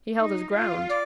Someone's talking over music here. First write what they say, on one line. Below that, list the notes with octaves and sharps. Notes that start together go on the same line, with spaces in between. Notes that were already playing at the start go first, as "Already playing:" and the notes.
He held his ground.
D#4
F4
D5